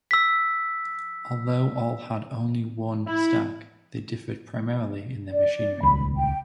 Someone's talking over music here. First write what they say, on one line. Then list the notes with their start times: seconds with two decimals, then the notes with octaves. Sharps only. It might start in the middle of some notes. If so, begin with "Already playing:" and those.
Although all had only one stack, they differed primarily in their machinery.
0.11 E6 B6
3.07 E4
5.30 D5
5.83 D#1 C#2 B5
6.16 G5